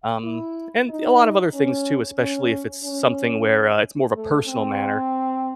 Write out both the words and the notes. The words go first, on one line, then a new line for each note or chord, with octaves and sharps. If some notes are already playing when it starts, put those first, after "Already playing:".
Um, and a lot of other things too, especially if it's s something where, uh, it's more of a personal manner.
E4
D#4
C#4
C#4
C#4
A3
C4